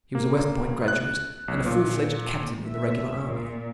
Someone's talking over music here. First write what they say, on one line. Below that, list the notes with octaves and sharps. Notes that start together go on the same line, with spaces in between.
He was a West Point graduate and a full-fledged captain in the regular army.
A#3
F#6
B1
A#2
E5
A#2